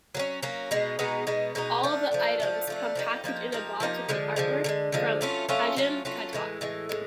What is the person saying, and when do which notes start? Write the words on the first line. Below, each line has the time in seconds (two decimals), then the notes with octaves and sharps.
All of the items come packaged in a box with artwork from Hajime Katoki.
0.15 F#3 A#3
0.19 C#4
0.42 F#3 A#3 C#4
0.71 B2 G#3 B3 D#4
0.99 B2 G#3 B3 D#4
1.27 B2 G#3 B3 D#4
1.55 B2 G#3 B3 D#4
1.83 F3 A3 D4
2.11 F3 A3 D4
2.40 F3 A3 D4
2.67 F3 A3 D4
2.95 F3 A#3 D#4 G4
3.24 F3 A#3 D#4 G4
3.52 F3 A#3 D#4 G4
3.80 F3 A#3 D#4 G4
4.09 D3 F3 G#3
4.36 D3 F3 G#3
4.64 D3 F3 G#3
4.92 D3 F3 G#3
5.21 F#3 A3 C#4 F4
5.49 F#3 A3 C#4 F4
5.77 F#3 A3 C#4 F4
6.05 F#3 A3 C#4 F4
6.33 A2 E3 G#3
6.61 A2 E3 G#3
6.89 A2 E3 G#3